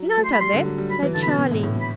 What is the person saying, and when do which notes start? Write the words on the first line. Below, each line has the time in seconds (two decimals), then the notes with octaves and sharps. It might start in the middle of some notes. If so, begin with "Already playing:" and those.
"Not a bit," said Charlie.
Already playing: F#3
0.17 A3
0.25 C6
0.32 B5
0.40 G3 C6
0.53 D3
0.65 F#3
0.78 G3
0.90 F#3 B5
1.03 E3
1.15 D3 A5
1.22 B5
1.27 B2
1.31 A5
1.38 B2
1.51 A2
1.63 A2
1.75 B2
1.80 B5